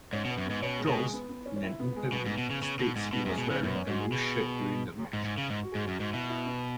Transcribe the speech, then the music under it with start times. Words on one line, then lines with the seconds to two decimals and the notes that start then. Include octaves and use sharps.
Droz, in an interview, states he was wearing a loose shirt during the match.
0.13 G#2 C#4
0.25 B2
0.29 B3
0.38 F#2
0.46 G#2 B3
0.63 B2 C#4
0.79 G#3
0.88 B2
0.96 G#3
1.13 B3
1.29 B3
1.46 C#4
1.56 C#4
1.63 E4
1.80 B3
1.96 G#3
2.12 B2 B3
2.26 G#2
2.38 B2
2.50 C#3
2.62 C#3
2.79 B2
2.96 G#2
3.13 B2 B3
3.25 F#2
3.29 G#3
3.38 B2
3.46 C#3 B3
3.63 F#2 B3
3.75 C#4
3.87 G#2 F#4
4.00 G#4
4.12 B2 G#4
5.13 G#2
5.25 G#2
5.38 C#3
5.50 G#2
5.63 F#4
5.72 G#2 G#4
5.82 F#4
5.88 F#2
6.00 G#2
6.13 B2 E4
6.29 E4
6.46 B3